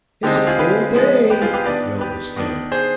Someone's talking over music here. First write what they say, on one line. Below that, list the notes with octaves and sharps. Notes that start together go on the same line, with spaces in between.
"It's a cold day!" yelled the scamp.
D3 G#3 C4 D#4 G4
G4
F4 G#4
G4 B4
F3 G#3 B3 D#4
G4 B4
F4 G#4
G4 B4
D#3 B3 D4 B4 D5
G4 B4
D#3 B3 D4
G#4 C5